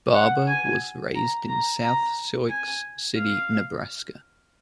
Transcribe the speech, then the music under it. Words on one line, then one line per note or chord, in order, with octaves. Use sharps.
Barber was raised in South Sioux City, Nebraska.
F#5
G#5
A#5
A#5
A#5
G#5
F5